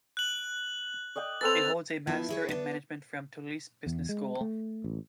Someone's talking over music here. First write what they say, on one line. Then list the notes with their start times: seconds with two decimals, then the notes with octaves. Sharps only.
He holds a Master in management from Toulouse Business School.
0.17 F#6 F#7
1.15 D5 D#5 G5
1.41 C4 A4 B4 A6 F7
2.07 F3 B3 E4
2.29 E4 G#4 C#5
2.49 B3 D4
3.86 E2
4.09 G#3
4.41 A3
4.84 A1